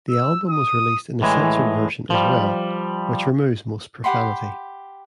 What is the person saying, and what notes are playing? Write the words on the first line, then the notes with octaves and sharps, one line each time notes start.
The album was released in a censored version as well which removes most profanity.
E6
D#6
A2 E3 G#3
F3 G3
G4 F#5 B5 C6